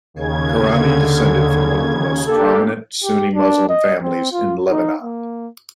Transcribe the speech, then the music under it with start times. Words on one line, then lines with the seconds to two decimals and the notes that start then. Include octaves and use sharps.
Karami descended from one of the most prominent Sunni Muslim families in Lebanon.
0.14 D#2 C#3 G#6
0.71 D3
2.27 A#3 D4 G4 A4
3.04 G4
3.34 D4
3.69 D#5
4.02 C4
4.33 F4
4.70 D#4
5.02 A#3